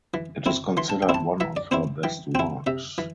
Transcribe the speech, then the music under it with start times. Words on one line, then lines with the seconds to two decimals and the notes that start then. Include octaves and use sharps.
It is considered one of her best works.
0.14 E3
0.46 C4 E4
0.77 E3 C6
0.90 A5
1.02 G5
1.09 C4 E4
1.14 A5
1.40 E3 E5
1.57 D5
1.71 C4 E4 C5
2.03 E3 G5
2.35 C4 E4 G5
2.67 C3 E5
2.98 E3